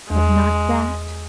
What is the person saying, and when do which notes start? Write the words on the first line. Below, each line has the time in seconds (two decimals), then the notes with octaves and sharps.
"But not that?"
0.10 E2 G#3